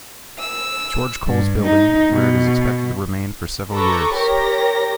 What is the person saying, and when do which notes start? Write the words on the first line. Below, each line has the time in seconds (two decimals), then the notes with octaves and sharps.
George Coles Building, where it is expected to remain for several years.
0.38 E6
1.26 G2
1.62 D#4
2.10 B2
3.71 A4 B4 A#5 C#6 D6
4.15 G4 A#4 C#5 A#6